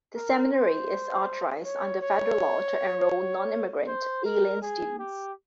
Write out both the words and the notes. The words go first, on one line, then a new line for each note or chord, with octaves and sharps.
The seminary is authorized under federal law to enroll nonimmigrant alien students.
A#4
C5
C#5
C#5
C5
A#4
G#4
G4